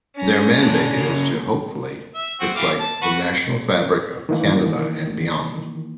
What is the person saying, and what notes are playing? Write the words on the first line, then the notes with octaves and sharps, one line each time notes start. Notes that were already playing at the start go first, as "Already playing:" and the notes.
Their mandate is to, hopefully reflect the national fabric of Canada and beyond.
C#4 A#5
B2 D3 D4
C#3 A#3
E5
C4 F#4
E3 F5 D6
A5
F#4 B4
D#3 E3 A#3